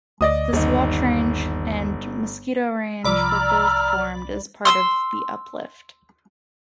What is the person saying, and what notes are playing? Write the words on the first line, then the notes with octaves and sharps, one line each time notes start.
The Sawatch Range and Mosquito Range were both formed as part of the uplift.
D2 D5 D#5 D#6
G1 D#2 D#4
C2 F3 D5 A#5 B5 E6 F6
C6 D#6 E6